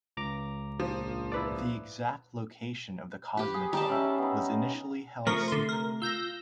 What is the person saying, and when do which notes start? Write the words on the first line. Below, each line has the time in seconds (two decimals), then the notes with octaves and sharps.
The exact location of the cosmodrome was initially held secret.
0.17 C#2 A#5 D6
0.80 A#1 F3
1.32 E4 B4 D5
3.37 G4 B4
3.54 G#4
3.73 G3 D#4 G4 A5
3.89 C#4 E5
4.18 B3 D#4
5.27 C3 F3 A3 A#4 A#5 C#6
5.48 D3 C6
5.69 A#4
6.02 F4 E6 G6 A#6